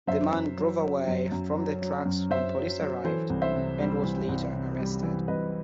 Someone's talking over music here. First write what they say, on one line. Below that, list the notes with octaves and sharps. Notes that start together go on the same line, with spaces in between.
The man drove away from the tracks when police arrived and was later arrested.
F#2 C5 E5
F#2
F#3
F#3
F#2
F#2
F#3
F#3
F#2
F#2 C5 E5
F#3
F#3
E3 A4 C5
C2
C5 E5
C3
G3
E3
C2
C3
G3
E3
C2 B4 D#5